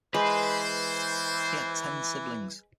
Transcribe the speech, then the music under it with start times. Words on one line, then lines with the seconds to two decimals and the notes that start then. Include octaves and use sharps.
He had ten siblings.
0.14 E3 G#3 B4 C5